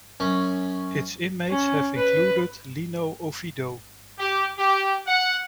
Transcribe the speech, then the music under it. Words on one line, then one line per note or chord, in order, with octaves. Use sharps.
Its inmates have included Lino Oviedo.
F#2 C#4
C#4
B4
G4
G4
F#5